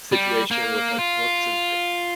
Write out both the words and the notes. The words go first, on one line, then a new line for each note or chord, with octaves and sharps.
situation with, like, books and things,
G3
A#3
F4